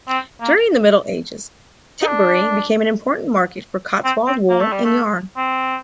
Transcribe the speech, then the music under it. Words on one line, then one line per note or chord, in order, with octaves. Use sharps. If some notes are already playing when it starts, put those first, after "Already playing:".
During the Middle Ages, Tetbury became an important market for Cotswold wool and yarn.
C4
A#3
D#4
D4
C4
C4
A#3
A3
G3
A3
C4